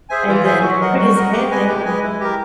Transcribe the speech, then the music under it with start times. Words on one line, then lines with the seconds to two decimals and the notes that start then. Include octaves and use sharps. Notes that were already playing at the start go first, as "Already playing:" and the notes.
and then put his head down
0.09 G#4 C5 E5 G#5
0.27 E3 F4
0.44 G#4 C5 E5 G#5
0.62 F#3 F#4
0.80 A#4 D#5 F#5
0.97 G3 F#4
1.16 A#4 D#5 F#5
1.32 G#3 G4
1.51 B4 D#5 G#5
1.68 G#3 G4
1.85 B4 D#5 G#5
2.03 E4
2.20 G4 A#4